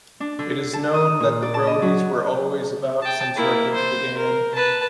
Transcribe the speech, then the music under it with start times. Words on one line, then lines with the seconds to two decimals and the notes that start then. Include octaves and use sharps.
It is known that the Brodies were always about since records began.
0.20 D4
0.39 D3
0.73 A5
0.94 D#6
1.20 A#2
1.42 D5
1.54 A5
1.67 D#5
1.82 F#3
3.02 G5 A5
3.36 A#3 E4
3.74 C5
4.17 A#4
4.55 B4 A5